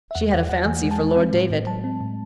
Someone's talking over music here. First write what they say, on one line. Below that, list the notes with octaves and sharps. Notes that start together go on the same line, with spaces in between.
She had a fancy for Lord David.
E5
E2 F#5
E2 F#5
E2 F#5
E3 G#5
G#3
A5
G#3
C4
A2
A2
F#3 A5
C4
A2